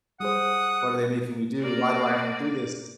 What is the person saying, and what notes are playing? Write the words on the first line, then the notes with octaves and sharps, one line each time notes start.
what are they making me do? Why do I have to do this?"
G3 G#4 C5 F#5 D#6
A#3 D5